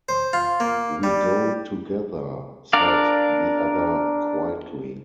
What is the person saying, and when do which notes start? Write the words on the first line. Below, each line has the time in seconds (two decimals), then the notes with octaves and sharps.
"We go together," said the other quietly.
0.09 C5
0.33 F4
0.60 A#3
1.03 G3
2.73 D4 A#4 D5 F5